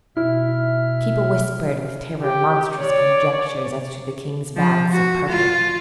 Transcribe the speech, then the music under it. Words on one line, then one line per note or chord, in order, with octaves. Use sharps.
People whispered with terror monstrous conjectures as to the king's baths of purple.
B2 E4 E5 F6
G4
C#5 D5
F3
F#4
F4